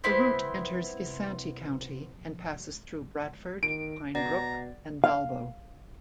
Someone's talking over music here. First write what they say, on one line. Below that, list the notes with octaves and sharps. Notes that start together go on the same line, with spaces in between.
The route enters Isanti County and passes through Bradford, Pine Brook, and Dalbo.
B3 C4 E4 C5
D#3 D7
B2 D5 F#5 A#5 A6
F5